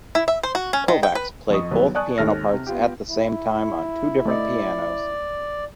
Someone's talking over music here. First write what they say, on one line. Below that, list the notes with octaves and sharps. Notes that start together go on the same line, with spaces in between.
Kovacs played both piano parts at the same time on two different pianos.
E4
E5
C5
F#4
C#4
D#3
G5
B4
F2 D#5 C#6 D#6
D#2 F#3 G3 B3
D5 G#5 A5 C#6 D#6 F#6
G#1 D#2 A4 F6 A#6
C3
B3 F4 G4
E4
A3 D5 D#5